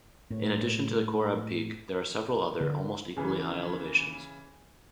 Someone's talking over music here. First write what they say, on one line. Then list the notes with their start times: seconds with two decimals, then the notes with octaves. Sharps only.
In addition to the Korab peak, there are several other, almost equally high elevations.
0.30 A2
2.61 D3
3.17 C#3 E3